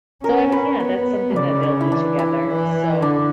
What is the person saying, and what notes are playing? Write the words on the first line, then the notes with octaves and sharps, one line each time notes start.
so I mean, yeah, that's something that they'll do together, so
C#4 A#4
B4
B3 C#5
C#3 D5
C#5
E4
E3 D4
E4
E3
D3 D4